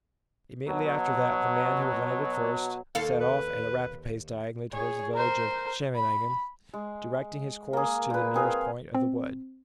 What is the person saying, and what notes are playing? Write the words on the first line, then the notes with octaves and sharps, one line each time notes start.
Immediately after that, the man who had landed first, set off at a rapid pace diagonally towards the village of Scheveningen, directing his course to the nearest point of the wood.
B2 F#3
D#2 A4 F5
B4
G#4 C#5
A#4 C5
B5
G#3
A#3 G#4
A#2 B4
C4 G#4 F5
C4